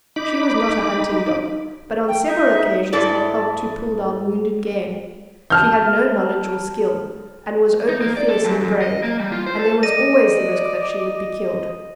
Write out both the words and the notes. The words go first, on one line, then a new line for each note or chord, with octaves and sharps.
She was not a hunting dog, but on several occasions had helped to pull down wounded game; she had no knowledge or skill, and was only fierce and brave, and there was always the risk that she would be killed.
D#4 B5 D6
G5
D#4 E5
G#2 E4 A4 D5
A5 F6 G6
D#4
A#3
D5
A4
F#2
F#2
D#5
A#3
G3
F4
C5
A4
D5 D#5 A#6 D#7